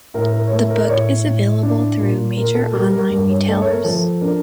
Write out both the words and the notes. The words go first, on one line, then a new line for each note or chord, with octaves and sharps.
The book is available through major online retailers.
A2 A#4
A#4
C#5
A3 A#4
A#4
D5
A2 C#5
A2
D4
A#2
A#2 A#4
A4
G3 A#4
A#4
G2 A#4
C#5
A3 A4
C#5
A#4
F3 A4
D4 A#4